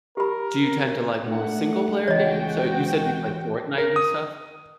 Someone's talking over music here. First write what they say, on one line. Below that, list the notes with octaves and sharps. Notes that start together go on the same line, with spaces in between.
Do you tend to like more single-player games, or you said you play Fortnite and stuff?
G4 A#4 B5
A3 A#3 D4 D#4 F#5
C#2 E3 G#3 F#4 C#5 D#5 G5
A#4
D#6